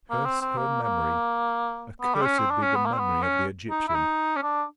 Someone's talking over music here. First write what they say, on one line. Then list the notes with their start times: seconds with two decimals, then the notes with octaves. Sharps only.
"Curse her memory--accursed be the memory of the Egyptian."
0.11 A#3
0.26 C4
0.41 C4
0.58 A#3
0.83 A#3
2.02 B3
2.15 G3
2.21 C4
2.26 C#4
2.39 C4
2.50 D4
2.62 C#4
2.75 B3
2.86 A#3
2.93 C4
2.99 B3
3.22 C#4
3.70 D#4
3.88 E4
3.95 D#4
4.36 C#4
4.42 D4